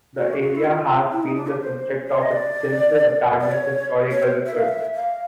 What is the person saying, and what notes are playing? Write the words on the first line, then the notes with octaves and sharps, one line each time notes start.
The area has been the subject of extensive academic historical research.
F#4
G4
F#4
E4
F4
E4
D#4
D4
G4
C5
C#5
D#5
D5
D5
C#5
C#5
C5
E5
F5
E5
F5